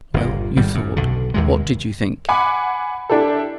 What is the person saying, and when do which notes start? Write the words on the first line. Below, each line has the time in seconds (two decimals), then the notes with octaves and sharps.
"Well, you thought--what did you think?"
0.14 G1 A#2
0.57 G#1 G3
0.75 F#2
0.96 B1 D3
1.34 D#2 C3 G#3
2.29 F#5 G#5 B5 D6
3.10 D4 E4 G4 A4